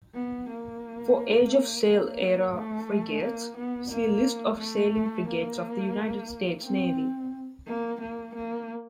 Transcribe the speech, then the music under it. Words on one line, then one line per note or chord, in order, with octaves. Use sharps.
For age-of-sail era frigates, see List of sailing frigates of the United States Navy.
B3
A#3
A#3
A3
A#3
B3
A#3
A3
A#3
C4
A#3
A#3
A#3